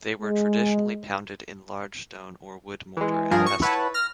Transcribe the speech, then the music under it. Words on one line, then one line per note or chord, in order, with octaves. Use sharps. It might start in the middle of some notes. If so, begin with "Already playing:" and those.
They were traditionally pounded in large stone or wood mortar and pestle.
G#3
E3 G#3
G2 F3 G#4 A#4
C#6 C#7
E4 B4 C#5 F#5 A5
F6 A#6